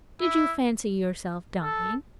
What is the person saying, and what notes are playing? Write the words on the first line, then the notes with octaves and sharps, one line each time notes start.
"Did you fancy yourself dying?"
E4
A4